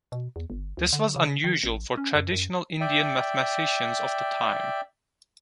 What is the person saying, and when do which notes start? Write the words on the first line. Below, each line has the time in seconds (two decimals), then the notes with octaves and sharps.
This was unusual for traditional Indian mathematicians of the time.
0.12 B2
0.36 E2
0.50 G1
0.77 D2
0.93 D3
1.16 C#3
1.44 D#3
1.63 A1
1.97 C#4
2.15 F#2
2.32 F#2
2.81 D5 E5 G5